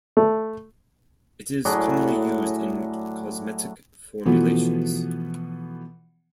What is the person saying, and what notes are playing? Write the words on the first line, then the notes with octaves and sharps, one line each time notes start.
It is commonly used in cosmetic formulations.
A3
A2 F#3 D4 G#4
B2 E3 F3 A3 B3